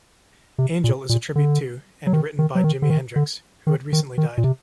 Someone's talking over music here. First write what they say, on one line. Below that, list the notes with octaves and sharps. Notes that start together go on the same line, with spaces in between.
"Angel" is a tribute to, and written by Jimi Hendrix, who had recently died.
C3
A#2
A#2
D3
F#3
D#3
D#3
F#3
D#3
D3
D#3
D3
D#3
D#3
D#3
A#2
C3